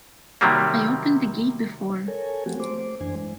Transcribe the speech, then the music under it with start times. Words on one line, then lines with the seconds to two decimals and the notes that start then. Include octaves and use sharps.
I opened the gate before.
0.41 C3 D#3 F#3 G3 A#3
2.08 A4 A#4 C#5 G#5
2.46 F3 A3 C4 F#4 G4
2.60 A3 C5 D6
3.01 F#2 E3 D4 C5 G#5
3.16 E3 G#3